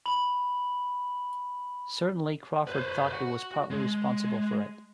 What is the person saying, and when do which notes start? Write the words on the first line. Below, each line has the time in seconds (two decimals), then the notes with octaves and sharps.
Certainly Crawford thought he was partly responsible for it.
0.06 B5 F#7
2.67 B4 C5
3.12 F#4 F#5
3.70 G#3